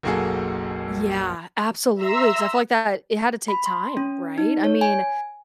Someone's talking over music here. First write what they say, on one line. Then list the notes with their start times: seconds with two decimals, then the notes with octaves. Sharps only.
Yeah, absolutely, 'cause I feel like that, it had to take time, right? I mean,
0.03 F#1 B1 A#3 F#4 G#4 A4
1.95 E5 A#5 C6 E6
3.48 B5
3.66 C6
3.97 C#4
4.38 D#4
4.64 C#5
4.81 G#5